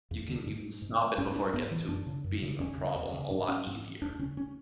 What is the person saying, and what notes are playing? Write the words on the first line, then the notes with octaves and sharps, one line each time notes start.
You can you can stop it before it gets to being a problem a lot easier.
E2
D3
G#2
G#2
G#2 C#4
C#4
D4
G#2 B3
E3
F#2 D4
C#3
F#2
C#3
E2 C#4
C#3
E2
C#3
G#2 D4
C#4
G#2
E2 D4
C#3 C#4
C#4